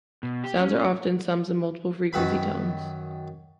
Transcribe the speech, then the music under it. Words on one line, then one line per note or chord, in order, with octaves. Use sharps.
Sounds are often sums of multiple frequency tones.
B2
G4
C#4
F#2 D#3 B4 B5